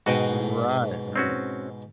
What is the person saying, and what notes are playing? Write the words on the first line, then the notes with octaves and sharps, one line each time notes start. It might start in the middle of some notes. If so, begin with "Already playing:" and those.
Right, right.
G#2 B2 F#4 D#5 G5
C4 C#4 F#4